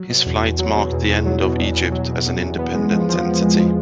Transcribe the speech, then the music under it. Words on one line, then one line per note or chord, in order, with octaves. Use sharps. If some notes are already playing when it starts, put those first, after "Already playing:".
His flight marked the end of Egypt as an independent entity.
Already playing: F#3
B2
E2
E2
F#3
B2
E2
E2
F#3
B2
E2
E2
F#3
B2
E2
E2
B3
G#3
F3
F3
B3
G#3
F3